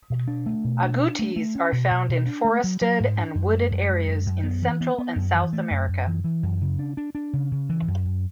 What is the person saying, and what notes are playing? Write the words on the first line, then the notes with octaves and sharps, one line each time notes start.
Agoutis are found in forested and wooded areas in Central and South America.
B2
D4
A3
B2
D4
D4
A3
A3
C#4
B2
B2
B2
D4
A3
F#3
F#3
G#2
D4
F#2
G#3
F#2
G#3
F#2
F#2
B3
E3
B3
B3
F#2
E3
A3
F#2
F#2
E3
E3
F#2
C#3
D4
D4
D4
C#3
C#3
E3
F#2
F#2